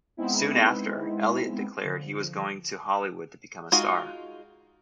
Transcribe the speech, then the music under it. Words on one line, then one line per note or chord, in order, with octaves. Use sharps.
Soon after, Elliott declared he was going to Hollywood to become a star.
G#3 B3 C4 D#4 E4
D3 F3
G#3 D#4 F4 F#4